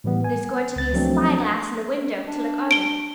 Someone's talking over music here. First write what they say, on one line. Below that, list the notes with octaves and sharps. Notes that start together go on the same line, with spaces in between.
There's going to be a spy-glass in the window, to look out of.
A2 E3 G3 B3
G#5
C#2 A6
F3 F#3 A3 C4 D4
D4
D7 G7